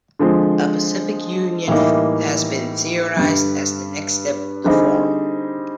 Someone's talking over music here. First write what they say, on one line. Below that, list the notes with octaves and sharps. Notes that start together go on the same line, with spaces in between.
A Pacific Union has been theorized as the next step of the forum.
D3 F3 G#3 C4
A2 E3 G3 A#3 D#4
G2 D3 G3
D3 G3 C4 D#4 G#4